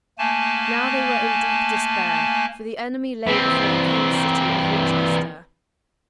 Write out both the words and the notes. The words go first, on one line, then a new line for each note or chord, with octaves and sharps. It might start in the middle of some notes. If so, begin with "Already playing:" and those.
Now they were in deep despair, for the enemy lay before the King's city of Winchester.
A3 A#3 G#5 A5
E3 C4